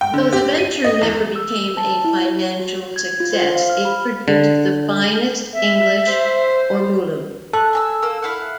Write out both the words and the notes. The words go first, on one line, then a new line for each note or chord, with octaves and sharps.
Though the venture never became a financial success, it produced the finest English ormolu.
G5
D3
G4
D#7
D#5
E2
E6
A5
E4
C#5
F#4
G#6
F4
C5
F5
F6
B5
D3
E5
C5
A4 F#6
G#5 A#5 E6
A#3 E6
E4 F5 F#5